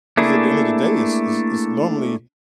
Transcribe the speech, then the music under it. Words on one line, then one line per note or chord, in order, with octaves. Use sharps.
'Cause at the end of the day, it's it's it's normally
A3 A#3 D4 E4 G#4